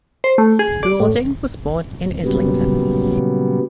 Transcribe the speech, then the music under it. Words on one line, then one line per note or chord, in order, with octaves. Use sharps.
Goulding was born in Islington.
C5
A3
G#4
D5
A2
A#2 C#3 F#3 G3 B3